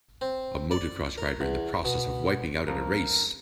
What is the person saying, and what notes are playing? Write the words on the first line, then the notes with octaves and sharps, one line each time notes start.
A motocross rider in the process of wiping out at a race.
C4
D5
A#4
E2
B2
F2 A#4